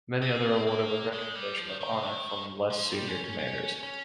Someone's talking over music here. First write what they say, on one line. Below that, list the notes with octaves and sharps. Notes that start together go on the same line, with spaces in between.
Many other awarded with recommendation of honor from less senior commanders.
C4
A#3
G#3
G3
F3
D#3
D#3
C3
D#3
F3
G3
C#4
C#4
C#4
C#4